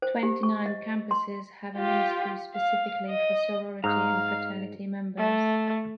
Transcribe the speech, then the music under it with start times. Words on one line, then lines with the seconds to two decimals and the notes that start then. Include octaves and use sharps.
Twenty-nine campuses have a ministry specifically for sorority and fraternity members.
0.02 C5
0.23 G4
0.43 C#6
0.66 D#5
1.11 C6
1.76 F4 G4
2.55 F5
3.10 D#5
3.84 G#2 F5 A#5
5.17 A3